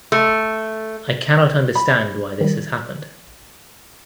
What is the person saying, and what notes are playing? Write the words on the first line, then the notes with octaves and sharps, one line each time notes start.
I cannot understand why this has happened.
A3
B5
D#3 G3